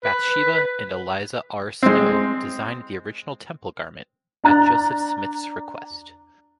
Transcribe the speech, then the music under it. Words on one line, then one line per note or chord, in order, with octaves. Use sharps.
Bathsheba and Eliza R. Snow designed the original temple garment, at Joseph Smith's request.
B4
G#3 C4
D4 A#5 F#6 A6